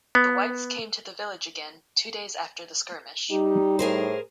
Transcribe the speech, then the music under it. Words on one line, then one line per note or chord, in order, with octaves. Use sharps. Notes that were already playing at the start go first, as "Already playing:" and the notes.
The Whites came to the village again two days after the skirmish.
B3
G3 D#4 G4
A2 G#4 A#4 C5